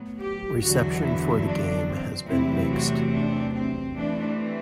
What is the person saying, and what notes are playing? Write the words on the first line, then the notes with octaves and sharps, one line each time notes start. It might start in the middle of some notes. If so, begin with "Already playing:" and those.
Reception for the game has been mixed.
Already playing: A2 F#3 B3
G4
E2 D3 F#3 F#4
E4
D4
C4
E2 C3 F#3 A3 C4 E4
F#4
D4
C4
C3 E3 A3 C4 D4